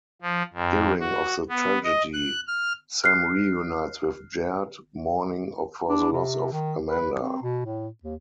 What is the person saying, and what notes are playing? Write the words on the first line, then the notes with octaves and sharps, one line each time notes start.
Hearing of the tragedy, Sam reunites with Jared, mourning for the loss of Amanda.
F3
F2
F#4
B3
D#5
F#6
F6
F6 F#6 C7
D4
C3
D#3
B4
C4
B2
A2
D#2